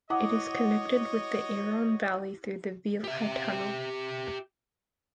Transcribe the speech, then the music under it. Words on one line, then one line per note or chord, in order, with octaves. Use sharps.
It is connected with the Aran valley thorough the Vielha tunnel.
E4 F#4 C#5 D#5 F#5 D6 D#6
G4 E5